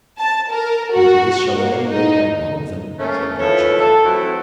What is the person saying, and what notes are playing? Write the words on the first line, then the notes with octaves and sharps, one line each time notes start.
"Your Grace shall at any rate have one of them," said Lord Chiltern.
A5
A#4
F#4
A#3
D#4
C3 A3 A#3 C#4
D#2 F3 E4 A4 B4 C#5
A4
E3 F#3 A3 C4 E4